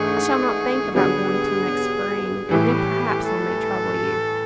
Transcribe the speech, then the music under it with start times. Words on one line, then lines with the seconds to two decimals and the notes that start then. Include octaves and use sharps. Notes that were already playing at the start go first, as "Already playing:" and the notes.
I shall not think about going till next spring; and then, perhaps, I may trouble you.
Already playing: G#2 E3 A3 D4 G#4
0.95 D3 F#3 B3 D4 G4 G#4
2.49 A2 E3 G3 G4
3.26 A4